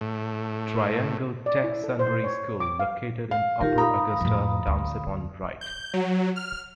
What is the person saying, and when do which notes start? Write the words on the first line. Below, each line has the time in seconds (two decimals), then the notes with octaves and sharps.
Triangle Tech Sunbury School located in Upper Augusta Township on Rt.
0.01 A2
1.46 D5
1.64 E4
1.84 A4
1.99 C5
2.24 C#5
2.60 D6
2.80 F5
3.31 F5
3.61 D#3 F4 G4 A#4
3.78 F5 A#5 B5 D#6
4.21 F2 A2
4.67 D2
5.61 G6
5.94 F#3
6.36 F6